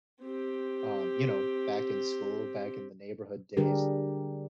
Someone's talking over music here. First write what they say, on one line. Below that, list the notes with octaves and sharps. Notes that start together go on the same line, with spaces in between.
um, you know, back in school, back in the neighborhood days,
C4 G4
D3 G3 D4 G4 G#4 A#4